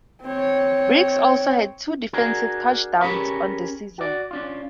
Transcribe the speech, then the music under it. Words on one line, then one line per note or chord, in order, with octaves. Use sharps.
Briggs also had two defensive touchdowns on the season.
C4 C#5
D4 F#4 G#4 A#4
C#4 G4 G#4 A#4 B4 C#5
F#4 D5
C#4 D4 F4